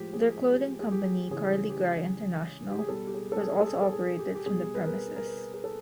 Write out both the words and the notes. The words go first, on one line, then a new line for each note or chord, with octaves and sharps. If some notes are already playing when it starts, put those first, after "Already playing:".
Their clothing company Carly Gry International was also operated from the premises.
Already playing: A2 F3 G#3 G4
G#4
G4
G#4
G4
C#3 E3 G#3 G#4
G4
G4
G#4
B2 G3 A4
G4
G#4
A4
G#4
A4
G#4
A4
G#4
G4
G4
B2 G3 G#4
B4
A#4
A#4
B4
G#4
A4